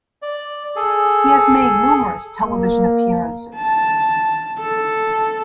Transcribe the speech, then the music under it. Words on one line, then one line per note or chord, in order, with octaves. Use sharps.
He has made numerous television appearances.
D5
G#4 A4
A#3
A5
A4